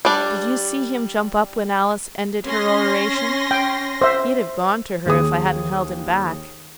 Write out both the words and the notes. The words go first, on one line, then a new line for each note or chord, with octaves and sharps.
Did you see him jump up when Alice ended her oration? He'd have gone to her if I hadn't held him back.
G3 D4
C#4 C6 A#6
G5
C5 E5
D#2 G#4 D#6